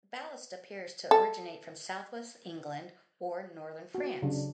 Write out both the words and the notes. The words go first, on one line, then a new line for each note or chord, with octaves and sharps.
The ballast appears to originate from southwest England or Northern France.
A4
B3 F#4
C#3 F#3 D4